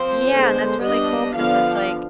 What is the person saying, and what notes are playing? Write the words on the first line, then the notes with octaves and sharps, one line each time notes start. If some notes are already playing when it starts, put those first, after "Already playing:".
Yeah, and that's really cool 'cause it's like
Already playing: F3 C4 C5
D3 G#3 B3
G3 B3 D4 D#5
D3 F3 B3 D4 F5